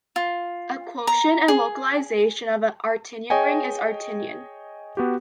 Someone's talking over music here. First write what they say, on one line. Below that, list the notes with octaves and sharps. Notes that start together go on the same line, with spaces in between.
A quotient and localization of an Artinian ring is Artinian.
F4
A#5
G#4
G#4 C#5 D#5 G5 G#5
B3 F#4 G4